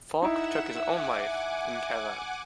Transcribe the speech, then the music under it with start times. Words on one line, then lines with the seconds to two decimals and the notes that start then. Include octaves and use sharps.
Falk took his own life in Kazan.
0.22 D#4 E4 E5 F#5 E6
0.80 E5 F#5 G#5 D6